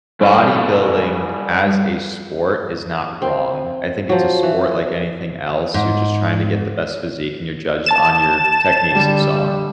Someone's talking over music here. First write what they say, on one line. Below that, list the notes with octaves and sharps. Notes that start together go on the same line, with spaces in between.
bodybuilding as a sport is not wrong. I think it's a sport like anything else, you're just trying to get the best physique, and you're judged on your techniques and so on.
G3 E4 A4 F5
C4
F3 F#3
E3
G#2
A5 A6 E7
D3 G3